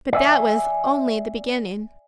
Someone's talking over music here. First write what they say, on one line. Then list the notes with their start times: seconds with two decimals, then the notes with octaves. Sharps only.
But that was only the beginning.
0.13 D5 E5 G#5